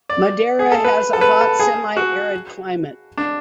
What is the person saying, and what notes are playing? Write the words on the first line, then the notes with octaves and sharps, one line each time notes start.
Madera has a hot semi-arid climate.
D5
G#4
A4
B4
A4
B4
A4
G#4
F#4
D4